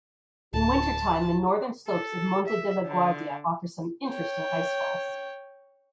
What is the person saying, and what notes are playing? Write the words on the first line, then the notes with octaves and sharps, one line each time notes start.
In wintertime the northern slopes of Monte della Guardia offer some interesting icefalls.
D1 A5
A4
E5
D3
C#5 G5